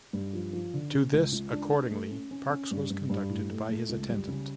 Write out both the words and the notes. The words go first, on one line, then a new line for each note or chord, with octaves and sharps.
To this accordingly Parks was conducted by his attendant.
G2
F3
F3
D3
C#3
C#2
C#2
D4
D4
A3
C#4
C#4
C#4
G2
G2
G2
A2
A3
A3
C#2
G3
C#3